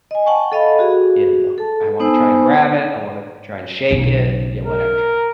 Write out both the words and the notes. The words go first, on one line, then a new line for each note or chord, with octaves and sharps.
You know? I wanna try and grab it, I wanna try and shake it yeah, whatever.
D#5 G#5
F#5 G5 A5 C#6
A4 D#5 F5 B5
F#4 G#4
A4 A5
B3 D#4 C5 G#5 A5 E6
B1 C#3
A#4